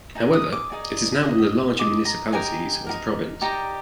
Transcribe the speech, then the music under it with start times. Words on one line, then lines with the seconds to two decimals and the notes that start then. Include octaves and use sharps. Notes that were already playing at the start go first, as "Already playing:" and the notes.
However, it is now one of the larger municipalities of the province.
0.15 D#4 G#4
0.33 D#6
0.52 D6
0.70 D#4 G#4 D5
1.24 G#4 D#5
1.79 G#4 D#5 D6
2.05 A#5
2.32 D#4 G4 A#4 G#5
2.86 D#4 G4 A#4
3.41 D#4 G4 D5 A#5